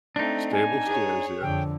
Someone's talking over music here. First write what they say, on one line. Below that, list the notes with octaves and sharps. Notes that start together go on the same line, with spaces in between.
stable stairs here,"
A3 C4 D4 D#4
G#5
G#4 C#5
F2 D3 G5